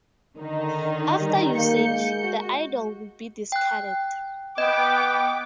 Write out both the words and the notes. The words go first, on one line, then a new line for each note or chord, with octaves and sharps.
After usage, the idol would be discarded.
D3 D#3 D#4
G3
A#3 G6 C#7
G#3
F#4
G5 F#6
B3 D#5 G5 D6